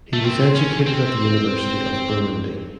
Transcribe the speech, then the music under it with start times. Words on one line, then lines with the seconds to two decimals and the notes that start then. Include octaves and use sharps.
He was educated at the University of Burundi.
0.13 A3
0.24 C4
0.55 C#4
0.87 C4